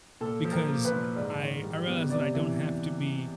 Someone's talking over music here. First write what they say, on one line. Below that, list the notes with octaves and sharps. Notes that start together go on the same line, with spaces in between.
because I I realized that I don't have to be
A#2 A4
F3
A#4
A#3
B4
A#2
G#2 D5
D#3
G3
B3
C3 D5
E3